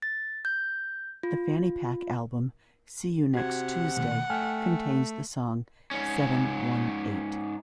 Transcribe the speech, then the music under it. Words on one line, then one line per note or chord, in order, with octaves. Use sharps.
The FannyPack album "See You Next Tuesday" contains the song "Seven One Eight".
A6
G6
F4
C3 F#4 F#5 G#6
B2 D#3 A3
A3 G5 G#5 F6
G#2 C#4